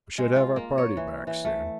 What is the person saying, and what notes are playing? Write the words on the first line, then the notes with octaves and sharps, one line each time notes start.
We should have our party back soon.
G#3
F4
A#3
C#5
E3
E3
A3